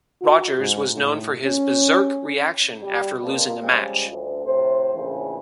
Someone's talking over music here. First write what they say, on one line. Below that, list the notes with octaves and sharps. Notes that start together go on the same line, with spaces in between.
Rogers was known for his berserk reaction after losing a match.
F#4
G#2
A2
C#4
G3
F2 B2 F3 A#3 C4
C#3 F3 G3 G#3
D2
A2 C3 C5
A#1 A2 C#3 E3